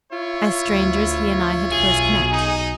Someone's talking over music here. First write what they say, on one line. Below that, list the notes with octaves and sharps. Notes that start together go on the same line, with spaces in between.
As strangers he and I had first met.
E4 F4 C#5
D2
B1 B2 G#4
D#4